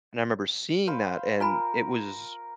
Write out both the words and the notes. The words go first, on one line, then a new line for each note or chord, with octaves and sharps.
And I remember seeing that, and it was,
C5 F5 B5
F4 A#4 G#5 B5